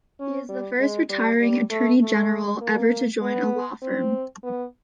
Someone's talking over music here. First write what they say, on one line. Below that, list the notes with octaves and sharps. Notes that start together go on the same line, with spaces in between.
He is the first retiring Attorney General ever to join a law firm.
C#4
G3
G#3
G3
G3
A3
A3
A#3
B3
C4
B3